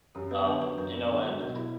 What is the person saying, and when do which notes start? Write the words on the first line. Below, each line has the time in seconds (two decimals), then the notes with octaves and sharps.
um, you know, and
0.15 F#2 G4
0.31 B3 B4
0.46 D3 B4
0.62 F#3 B4
0.78 F#2 A#4
0.94 B3
1.10 D3
1.24 F#3
1.41 B2 A#4
1.56 E4